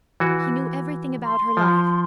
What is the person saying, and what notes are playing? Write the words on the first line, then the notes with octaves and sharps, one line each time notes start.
He knew everything about her life.
E3 F#4
C6
F3